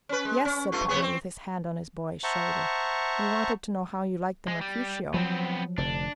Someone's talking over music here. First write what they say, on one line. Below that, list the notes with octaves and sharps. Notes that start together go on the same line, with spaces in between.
"Yes," said Putney, with his hand on his boy's shoulder, "we wanted to know how you liked the Mercutio."
C#4 B4
G#3
C#4
G2 A3 F4
C3 B3 G#4
C4
C5 E5 F#5 A5 A#5 C#6
G#3
G3
F3 F#3 B3 C4
F1 F2 D3 D4